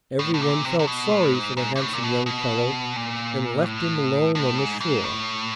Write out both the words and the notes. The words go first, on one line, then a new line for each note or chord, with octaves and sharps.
Everyone felt sorry for the handsome young fellow and left him alone on the shore.
A2
A2
A#2
C3
C3
B2
A2
G#2
G#2
G#2
A2
A#2
B2
B2
A#2
A2
A2
G#2
G#2
A2